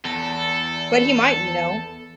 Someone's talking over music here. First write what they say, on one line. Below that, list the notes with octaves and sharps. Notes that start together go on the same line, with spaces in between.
But he might, you know.
E2 A4